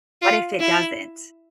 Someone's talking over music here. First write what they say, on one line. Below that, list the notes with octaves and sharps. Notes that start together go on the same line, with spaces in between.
what if it doesn't?
F4
E4